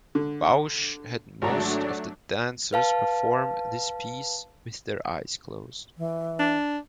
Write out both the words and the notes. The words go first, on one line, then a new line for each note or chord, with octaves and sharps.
Bausch had most of the dancers perform this piece with their eyes closed.
D3
G#1 F#3 A3 D4 A#5
B4 F5 A5
E3
D4